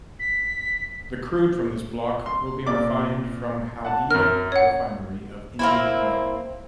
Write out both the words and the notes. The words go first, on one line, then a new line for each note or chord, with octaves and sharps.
The crude from this block will be refined from Haldia refinery of Indian Oil.
B6
C6
A#2 D5 D6
F#5 A5
F#2 A#4 F6
C#5 F#5
A#3 C4 E4